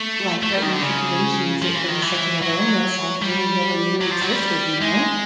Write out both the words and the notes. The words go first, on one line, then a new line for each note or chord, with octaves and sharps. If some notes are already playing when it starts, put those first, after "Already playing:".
life-threatening situations, it brings such an awareness I really never knew existed, you know?
Already playing: A3
A3
G3
D#3
D3
C#3
F3
E3
D#3
E3
F#3
G3
F#3
F3
F#3
G3
G#3